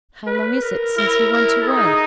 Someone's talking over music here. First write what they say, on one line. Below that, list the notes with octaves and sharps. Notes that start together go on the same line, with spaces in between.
'How long is it since he went away?'
B4
A#4
E4 A#4
A#4
A4
D#4 G#4